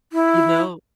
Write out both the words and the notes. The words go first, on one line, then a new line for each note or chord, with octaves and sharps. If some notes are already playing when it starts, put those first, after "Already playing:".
You know
E4